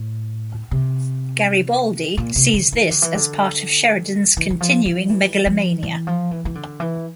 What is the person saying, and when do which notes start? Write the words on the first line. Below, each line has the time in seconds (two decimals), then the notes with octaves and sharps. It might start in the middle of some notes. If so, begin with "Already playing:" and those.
Garibaldi sees this as part of Sheridan's continuing megalomania.
Already playing: A2
0.71 C3
2.17 A#2
2.36 C3
2.54 D3
2.73 E3
2.90 D3
3.02 E3
3.15 D3
4.37 E3
4.50 E3
4.60 F3
4.86 F3
5.09 E3
5.46 F3
5.83 E3
6.07 F3
6.31 E3
6.45 E3
6.55 D3
6.80 E3